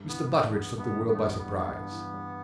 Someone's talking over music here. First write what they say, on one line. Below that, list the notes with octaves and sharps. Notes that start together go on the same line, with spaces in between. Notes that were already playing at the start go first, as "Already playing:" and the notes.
Mr. Butteridge took the world by surprise.
Already playing: G2
E3 B3
B3
G3 A3
G2 B3
G2 B3
E3
B3
A3
G3 B3
B3
G2
G2
E3
G3